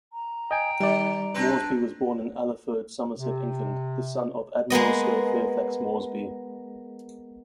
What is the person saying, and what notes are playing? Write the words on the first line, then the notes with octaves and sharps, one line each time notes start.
Moresby was born in Allerford, Somerset, England, the son of Admiral Sir Fairfax Moresby.
A#5
D#5 G5 G#5
D#3 G3 D5
C4 D4 B4
C3
G#3 A#3 B3 D#5